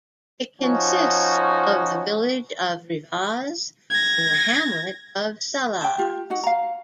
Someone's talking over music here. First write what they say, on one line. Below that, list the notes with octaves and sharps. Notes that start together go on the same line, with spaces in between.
It consists of the village of Rivaz and the hamlet of Sallaz.
F3 C#4 D#4 F#4
G#6 A#6
G5 A5
F4 G4
D#4 F#4 F#5
F5 A#5